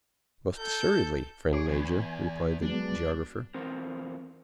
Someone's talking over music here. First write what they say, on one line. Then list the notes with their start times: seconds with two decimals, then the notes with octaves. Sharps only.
"Most assuredly, friend Major," replied the geographer.
0.59 A4 G6
1.53 G#4 C#5 D6
1.68 E2 G#5
2.62 F#3 G#3 B3 D4
3.54 E2 C4 A#4 C5